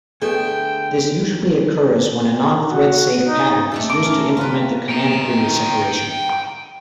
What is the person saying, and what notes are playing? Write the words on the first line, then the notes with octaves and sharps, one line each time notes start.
This usually occurs when a non-thread-safe pattern is used to implement the command-query separation.
D3 A3 B3 G#4 G5
F#4
D#4
A3 D4 A4
A#4 D6
C#4
F4 B4
G5 A#5